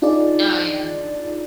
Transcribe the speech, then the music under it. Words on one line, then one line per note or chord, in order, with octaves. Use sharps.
Oh, yeah.
D4 D#4 F4 G#4 D5